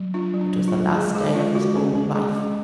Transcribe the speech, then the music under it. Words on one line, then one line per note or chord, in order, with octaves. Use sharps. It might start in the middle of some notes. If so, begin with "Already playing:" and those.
It was the last day of his old life.
Already playing: F#3
D4 F4
F#3
D4
F#3
F4
F#3
G#3 G#4
G#3 G#4
G#3 F4
G#3 F#4
C#4 G#4
C#4
G#3 G#4
G#3